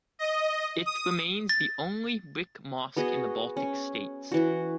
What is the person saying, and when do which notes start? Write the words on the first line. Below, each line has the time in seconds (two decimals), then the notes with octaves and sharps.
It remains the only brick mosque in the Baltic states.
0.19 D#5
0.86 D#6
1.49 A6
2.97 B3 F#4 G#4 D#5
3.57 C#4
4.32 E3 F#4